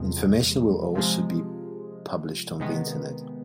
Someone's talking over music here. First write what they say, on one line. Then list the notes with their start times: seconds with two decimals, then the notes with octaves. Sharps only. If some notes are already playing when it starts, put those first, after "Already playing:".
Information will also be published on the internet.
Already playing: E2 C3 F3 G#3
0.95 C3 F3 G#3
2.60 C3 D#3 G#3 B3